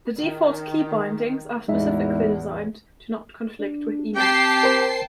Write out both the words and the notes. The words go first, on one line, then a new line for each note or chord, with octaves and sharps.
The default keybindings are specifically designed to not conflict with Emacs.
D#3
A1 E2 G#3 D#4 E5
D4
C4 G4 G5 A5 C7
A#4 C5